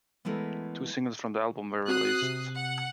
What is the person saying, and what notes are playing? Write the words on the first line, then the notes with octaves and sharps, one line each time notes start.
Two singles from the album were released.
E3 G#3 A3 B3 E4 A#4
C4 F#4 D#6 F#6 C7
C3
F#5